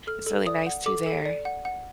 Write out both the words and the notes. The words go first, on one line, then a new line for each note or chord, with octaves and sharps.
It's really nice too there.
A4 F6
A4
D5 D#6
F#5
A4 D6
A4
D5
F#5
F#5